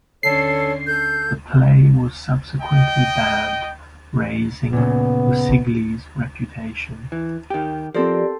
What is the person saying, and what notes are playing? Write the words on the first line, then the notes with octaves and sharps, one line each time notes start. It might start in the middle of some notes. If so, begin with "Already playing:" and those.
The play was subsequently banned, raising Usigli's reputation.
D3 C#4 A4 C#5 C7
A4 G6
D#5 G5
A#2 C#3 B3
E3
D#3 G4
F3 C4 G4 A4 A#4 C5 D5